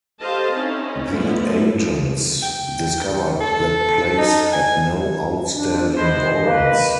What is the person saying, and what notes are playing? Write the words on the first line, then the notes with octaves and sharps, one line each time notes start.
The agents discovered that Place had no outstanding warrants.
G4 A4 C5 D#5 F5 A5
C4 C#4 D#4 E4
D3 F3 G#3 A3 B3 E4
G5
A4
D#4
G#5
D4
B3 E4 C5 D#5
A#3 B4